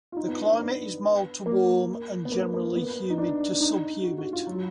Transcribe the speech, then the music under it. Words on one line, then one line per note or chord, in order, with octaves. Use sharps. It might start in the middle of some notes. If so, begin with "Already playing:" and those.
The climate is mild to warm and generally humid to sub-humid.
F4
D#4
B3
D4
B3
A#3
B3
A#3
A#3
B3
D#4
D4
D4
D#4
F#4
F#4
F4
F#3